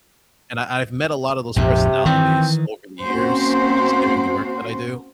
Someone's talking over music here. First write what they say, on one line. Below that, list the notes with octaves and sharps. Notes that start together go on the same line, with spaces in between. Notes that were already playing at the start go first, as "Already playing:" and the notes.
and I I've met a lot of those personalities over the years just doing the work that I do.
A#1 F2 G#2 C3
D#3 E3 C4
A#3 C4 C#4 F#4 C5